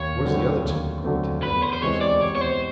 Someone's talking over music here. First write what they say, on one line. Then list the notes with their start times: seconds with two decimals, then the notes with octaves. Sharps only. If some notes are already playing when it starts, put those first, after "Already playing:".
"Where's the other two?" cried Tad in a voice of anxiety.
Already playing: D#2 C#5
0.25 D3 F#3 A3 C4
0.64 D#2
1.03 D3 F#3 A3 C4
1.43 E2 B4
1.62 C5
1.73 C5
1.82 C3 E3 G#3 C4 C#5
2.01 D5
2.21 E2 C#5
2.35 C#5
2.41 C5